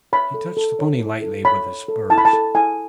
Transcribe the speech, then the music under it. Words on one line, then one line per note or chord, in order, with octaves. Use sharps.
He touched the pony lightly with his spurs.
C#5 B5
A4
A4
C#5
E4
A4
C#5 B5
C#5
A4
E4 A5
B5
A5
A4
E4 G#5